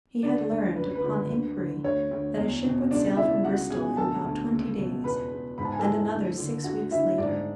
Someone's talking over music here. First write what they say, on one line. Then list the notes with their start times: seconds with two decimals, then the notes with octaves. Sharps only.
He had learned, upon inquiry, that a ship would sail from Bristol in about twenty days, and another six weeks later.
0.23 D2 D4 D5
0.51 D2
0.76 F#2 B4
0.95 B4
1.04 D3
1.30 D2
1.57 D3
1.84 D2 C#5
2.11 D2
2.37 E2
2.64 B2
2.90 C#2 D4 D5
3.17 C#2 E4 E5
3.44 C#2 F#4 F#5
3.70 B2 G#4 G#5
3.97 D2 A4 A5
4.24 D2
4.51 C#2
4.78 B2
5.04 E2 B4 B5
5.32 E2
5.58 G#2 B5
5.65 A5
5.72 G#5
5.79 A4 A5
5.85 E3
6.11 D2
6.37 D3
6.64 D2 F#4 F#5
6.91 D2 E4 E5
7.18 G#2 D4 D5